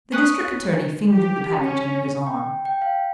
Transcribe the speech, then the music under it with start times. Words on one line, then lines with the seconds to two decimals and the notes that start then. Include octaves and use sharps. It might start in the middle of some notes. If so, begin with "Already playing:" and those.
The district attorney fingered the package under his arm.
0.12 C#4 B4 D#6
1.11 G4
1.60 C#4
2.27 G5
2.65 G5
2.82 F5